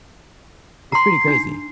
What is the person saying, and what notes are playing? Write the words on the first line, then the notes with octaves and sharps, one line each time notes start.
It's pretty crazy.
A#5 C6 C7
D4 D#4